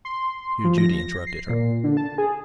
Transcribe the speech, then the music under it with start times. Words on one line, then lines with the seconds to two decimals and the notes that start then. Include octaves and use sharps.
Here Judy interrupted her.
0.05 C6
0.64 F3
0.78 A#6
1.27 C7
1.49 A#2
1.84 D3
1.97 A5
2.18 G#4